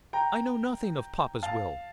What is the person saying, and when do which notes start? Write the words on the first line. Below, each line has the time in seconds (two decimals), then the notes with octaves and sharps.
'I know nothing of papa's will.
0.13 G5 A#5
1.43 F5 A5